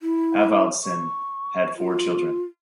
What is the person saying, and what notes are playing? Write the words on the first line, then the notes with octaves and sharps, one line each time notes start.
Avildsen had four children.
E4
C#6
F4